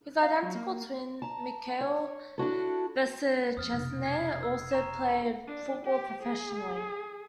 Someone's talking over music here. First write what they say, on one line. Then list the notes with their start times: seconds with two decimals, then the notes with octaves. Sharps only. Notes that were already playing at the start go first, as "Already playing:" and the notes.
His identical twin Mikhail Beschastnykh also played football professionally.
0.23 F5
0.43 F#3
0.55 A#3
1.22 A5 A#5
1.81 C#5
2.38 D4 E4 F#4 A4
3.57 F2 D#6 F6 A6
3.73 F1 B2
4.03 G#6 C7
4.43 E6
4.71 A#5 C#6 E7
5.09 B5
5.47 D4
5.85 G4
6.23 G#4